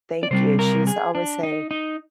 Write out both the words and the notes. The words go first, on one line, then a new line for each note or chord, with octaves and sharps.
Thank you. She used to always say,
D5
C3 G3 C4 C5
A#4
G#4
D4
D#4
D#4